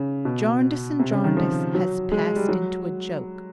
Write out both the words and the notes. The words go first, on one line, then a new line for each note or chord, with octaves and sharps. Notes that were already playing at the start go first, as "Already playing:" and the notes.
Jarndyce and Jarndyce has passed into a joke.
Already playing: C#3
B2
C3
C#3
D#3
F3
F#3
G#3
G3
F#3